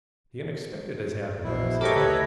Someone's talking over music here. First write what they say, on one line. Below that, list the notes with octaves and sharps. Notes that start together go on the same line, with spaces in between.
"The unexpected has happened," I said.
A#1 E2 B2 E4 C5
G4 A4 A#4 C#5 D#5 E5 C#6 D6
D2 B4 E5